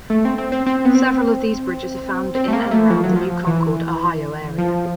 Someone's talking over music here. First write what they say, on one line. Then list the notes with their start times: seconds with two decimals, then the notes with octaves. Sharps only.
Several of these bridges are found in and around the New Concord, Ohio area.
0.10 A3
0.25 C4
0.38 C4
0.52 C4
0.66 C4
0.85 B3
0.95 C4
2.35 C4
2.48 A3
2.53 A#3
2.71 A3
2.90 F3
3.04 F#3
3.16 F3
3.47 E3
4.58 F3